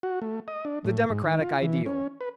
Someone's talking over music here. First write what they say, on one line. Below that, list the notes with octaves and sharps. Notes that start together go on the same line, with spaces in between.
The Democratic Ideal.
F#4
A3
D#5
D4
A2
G#2
D#3
F4
E3
C#4
B4